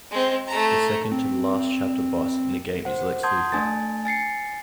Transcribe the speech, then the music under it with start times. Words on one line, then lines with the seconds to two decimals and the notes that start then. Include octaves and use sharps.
The second to the last chapter boss in the game is Lex Luthor.
0.11 G#3 C4
0.48 A3 A#5
1.12 C4
2.85 C5 F#5
3.23 F#5 A5 C6 D#6 G6 G#6
3.52 A3 D4 G#5 A5 A6
4.05 G#5 A6 C7 C#7